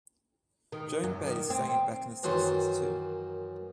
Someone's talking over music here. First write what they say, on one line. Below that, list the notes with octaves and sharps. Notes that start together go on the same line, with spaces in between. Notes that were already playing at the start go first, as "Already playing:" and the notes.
Joan Baez sang it back in the sixties too.
D#3
F#2
D#3
C4
F#2 D#3 E3 F#3 C6